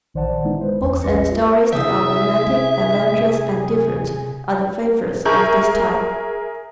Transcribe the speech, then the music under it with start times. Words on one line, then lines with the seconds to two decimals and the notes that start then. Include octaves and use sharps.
Books and stories that are romantic, adventurous, and different are the favorites of this type.
0.14 A#1 D#3 C5 D5 F#5 A5
0.44 D3 G#3 B3 D#4 E4
0.60 B4 C5
0.82 E2
1.02 A#1 G#3 C#4 B4 A#6 C#7
1.28 F4 E5
1.73 C3 E4 G#4 E5 D#6 G6
5.25 G#4 A#4 E5 G#5 C#6 G6